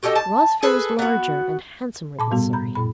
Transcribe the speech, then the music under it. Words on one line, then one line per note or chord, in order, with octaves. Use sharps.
Rosville was larger and handsomer than Surrey.
F#4 G4 A4 D#5
A5
G#4 A4 B4
B3 F#4
A#2 A5 D6
G#2 B2 G3 B3 F#4
A#5 B5 G6
F#2 A#2 B5